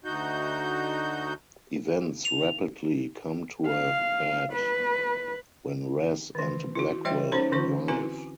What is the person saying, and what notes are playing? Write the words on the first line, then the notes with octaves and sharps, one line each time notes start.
Events rapidly come to a head when Rez and Blackwell arrive.
D2 D#4 F#4 G6
F7
F5
B4
D#3 E3
E4 F#4
E3 G3 C#5 E5 G5
C#4 D#4 C5 C#5 B5 C6
D3 E3 C#4 C#6
C4 E4 F#4 B4 G#5 A#5